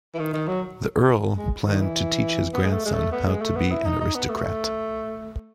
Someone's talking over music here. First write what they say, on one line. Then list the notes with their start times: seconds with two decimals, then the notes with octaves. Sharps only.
The Earl planned to teach his grandson how to be an aristocrat.
0.15 E3
0.19 D#3
0.33 D#3
0.48 F#3
1.37 G#3
1.66 D#3
1.81 E3
2.54 B3
2.65 G#3
2.73 A3
2.86 G#3
2.94 A3
3.12 B3
3.27 G#3
3.41 A3
3.57 B3
3.72 E4
3.86 D#4
4.01 D#4
4.15 B3
4.30 A3